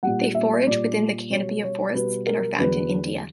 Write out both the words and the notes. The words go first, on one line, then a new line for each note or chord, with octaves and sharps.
They forage within the canopy of forests and are found in India.
A#2 G3 F#5
E5
A#2 G3 D5
B2 G3 C#5
C#5
B2 G3 B4
A#4
E2 D3 F#3 B4